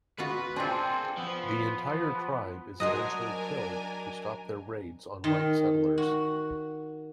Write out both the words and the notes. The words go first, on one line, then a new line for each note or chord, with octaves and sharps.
The entire tribe is eventually killed, to stop their raids on white settlers.
B3 F4 F#4 B4
C4 D4 F4 G#4 A4
F3 B3
F#3 D4 F#4 A#4 C5 D#5 G#5
D#3
F#4